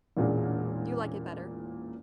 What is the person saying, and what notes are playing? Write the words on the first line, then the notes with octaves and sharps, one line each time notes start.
You like it better?
E1 A1 A#2 G#3 A#3 D4